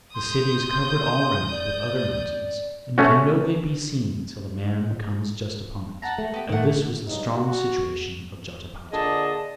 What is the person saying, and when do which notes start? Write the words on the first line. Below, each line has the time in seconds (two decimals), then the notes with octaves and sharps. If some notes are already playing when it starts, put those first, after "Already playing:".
The city is covered all round with other mountains, and can no way be seen till a man comes just upon it. And this was the strong situation of Jotapata.
0.14 C6 D#6 G6
1.51 D5
2.98 A3 C#4 F#4
6.02 F#5 A5 A#5
6.18 A3
6.34 B3 G4
6.49 D#3 A3 D5 F#5
7.05 G2 F#3 D#4
7.35 F#4
8.93 A#2 D3 G#4 D#5 A5